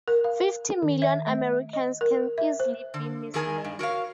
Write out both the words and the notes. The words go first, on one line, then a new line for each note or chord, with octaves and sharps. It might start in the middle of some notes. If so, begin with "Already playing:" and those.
Fifty million Americans can easily be misled.
A#4
F5
D#3
E5
A3
D#5
A#4
E5
C5
D3
E2 D#3 D#4 G#4 A#4 G#5
G2
F#4 A#4 C#5 F5